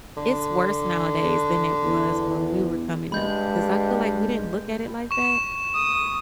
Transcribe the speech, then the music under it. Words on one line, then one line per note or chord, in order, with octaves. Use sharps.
It's worse nowadays than it was when we were coming up, 'cause I feel like we didn't look at it like that.
D3
E2
G2 G#3 B5 G6
C#6 E7
D#6